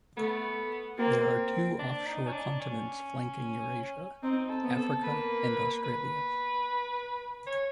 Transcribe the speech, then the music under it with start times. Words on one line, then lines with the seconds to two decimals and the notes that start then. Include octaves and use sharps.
There are two offshore continents flanking Eurasia: Africa and Australia.
0.17 A3 B3
0.98 A#3 C4
1.79 D4
2.06 D#4
2.27 C#4
2.33 D4
2.60 C#4
4.23 C4 D#4
4.50 A4
4.63 B3
4.76 A4
5.04 A#3 B4
5.85 B4
7.47 C#5